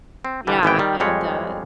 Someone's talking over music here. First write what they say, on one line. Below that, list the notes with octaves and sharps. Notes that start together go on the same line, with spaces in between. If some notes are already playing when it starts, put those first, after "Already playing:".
yeah, and, uh
C4
D3 E3 G3
G#1 E3 B3 G5
D#3 G3
F2 G3 G#3 C#5